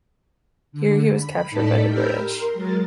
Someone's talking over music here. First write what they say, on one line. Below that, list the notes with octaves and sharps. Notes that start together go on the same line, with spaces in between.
Here he was captured by the British.
D3
B5
A2 D#4 A4 D5 A5 B6
G4 A#4 B5 E6 F6 G6
A#4 C6
F#3 G#3 A#4 A6